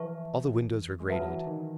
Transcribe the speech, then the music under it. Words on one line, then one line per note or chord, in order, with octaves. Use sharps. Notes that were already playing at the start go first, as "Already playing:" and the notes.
All the windows were grated.
Already playing: E3 B4 E5 A5 C#6
G#3
F#3 B4 E5 A5
F#3
E3
D#3